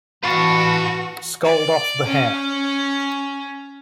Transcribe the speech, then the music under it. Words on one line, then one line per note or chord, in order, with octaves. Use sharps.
Scald off the hair.
E3 F#4 B4 F5 A5 C#6
D5
C#4